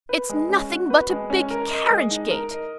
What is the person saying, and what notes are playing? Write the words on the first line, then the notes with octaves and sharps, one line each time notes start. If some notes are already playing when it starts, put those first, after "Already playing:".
It's nothing but a big carriage gate!
B4
G#3
C#4
F#4
B4
G#3
C#4
A#4
D#5
G#3
D#4
A#4
D#5